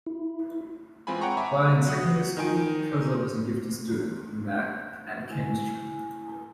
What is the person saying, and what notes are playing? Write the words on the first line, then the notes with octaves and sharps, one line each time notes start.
While in secondary school, Strasser was a gifted student in math and chemistry.
E4
E3 G#3 C4 F4 G#5 B5
C#5 F#5 G5 A#5 C#6
E5 G#5 A#5 B5 C#6 D6
F#3 F#5 D#6
D#3 D#4 G#5 D7
E4 G#5